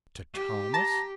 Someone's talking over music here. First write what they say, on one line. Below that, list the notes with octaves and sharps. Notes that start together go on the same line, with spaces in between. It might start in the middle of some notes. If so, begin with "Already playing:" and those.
To Thomas!
G4
A5 A#5